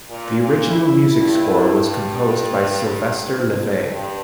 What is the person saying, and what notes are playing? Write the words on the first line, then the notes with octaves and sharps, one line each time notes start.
The original music score was composed by Sylvester Levay.
A#2
A#2
E4
G2
F2
G2